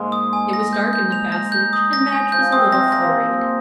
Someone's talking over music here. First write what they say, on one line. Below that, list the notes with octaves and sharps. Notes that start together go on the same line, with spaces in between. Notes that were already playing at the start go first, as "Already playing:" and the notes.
It was dark in the passage, and Madge was a little flurried.
Already playing: G#2 G#3 A#3
D#6
G#5
A#6
G6
G6
F7
A#6
G6
D#6
A#6
G#5
F3 G6
C3 C4 D#6
C3 C4 A#6
A#2 A#3 A#6